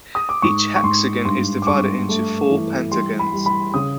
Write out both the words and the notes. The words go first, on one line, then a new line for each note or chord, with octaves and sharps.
Each hexagon is divided into four pentagons.
D#6
D6
G#2 C#6
C#6
G#2 C6
G2 C6
D6
G2 C#6
A3
E3
G3 C6
B5
G3
B5
C#3 D#6